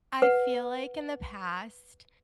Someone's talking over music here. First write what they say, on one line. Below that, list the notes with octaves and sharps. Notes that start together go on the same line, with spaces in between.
I feel like in the past,
B4 F#5